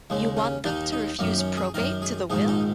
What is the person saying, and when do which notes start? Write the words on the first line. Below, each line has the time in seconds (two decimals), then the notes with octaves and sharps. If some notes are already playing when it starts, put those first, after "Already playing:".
You want them to refuse probate to the will?
0.10 D#2 C#3 G#3
0.37 C#4
0.65 D#2 D#3 D#4
0.92 D#4
1.19 F#2 D#3 A#3
1.38 C#4
1.57 G#4
1.74 F#2 D#3 A#4
2.02 G#4
2.30 A#1 G#2 D#3 G#4
2.48 D#4